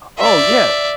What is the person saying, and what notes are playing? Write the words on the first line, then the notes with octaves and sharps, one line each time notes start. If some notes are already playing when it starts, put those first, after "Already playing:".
Oh, yeah.
D5 E5